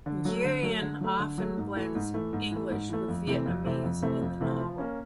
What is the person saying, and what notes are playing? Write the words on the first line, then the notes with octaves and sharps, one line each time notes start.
Nguyen often blends English with Vietnamese in the novel.
D3
F#3 A3
D3
F#3 A3
D3
F#3 A3
D3
F#3 A3
G#2
E3 A3
G#2
E3 A3
G#2
E3 A3
G#2
E3 A3
F2
C3 E3 A3 C4
F2
C3 E3 A3 C4
F2
C3 E3 A3 C4
F2
C3 E3 A3 C4
F3
A#3 C#4